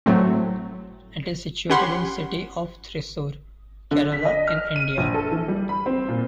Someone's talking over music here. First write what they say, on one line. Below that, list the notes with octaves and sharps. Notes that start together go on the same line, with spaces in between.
It is situated in City of Thrissur, Kerala in India.
A2 F#3 A3 C4
C#4 G4 F#5 B5 C6
D3
B6
D#5
F6
D#7
A#1
A4
E3
G3
B5
C4
A#2